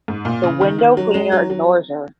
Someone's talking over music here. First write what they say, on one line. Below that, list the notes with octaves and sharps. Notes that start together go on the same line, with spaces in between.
The window cleaner ignores her.
G#2
A#2
C#3
D#3
D#3
F#3
G#3
F#3
F#3